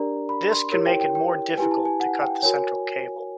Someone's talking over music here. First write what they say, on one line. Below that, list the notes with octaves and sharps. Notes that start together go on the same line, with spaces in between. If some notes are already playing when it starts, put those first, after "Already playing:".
This can make it more difficult to cut the central cable.
Already playing: D4 G4 A#4 D5 A#5
B5
C6
E4 G4 A#4 C#5
G5
G5
G5
E4 G4 B4 G#5
A5
G#5
F#5
G5
F#4 A#4 C#5 G#5